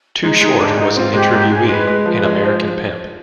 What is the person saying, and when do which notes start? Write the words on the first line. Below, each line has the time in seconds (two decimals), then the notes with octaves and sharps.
Too Short was an interviewee in American Pimp.
0.23 G#3 D#4
0.41 G#3 D#4
0.59 G#2 D4
0.77 G#2 D#4
0.97 C4 F4
1.14 G#3 G4
1.32 G#2 G4
1.51 G#3 G#4
1.69 G#3 B4
1.87 G#3
2.05 F3 B4
2.23 G#3
2.42 F3 C5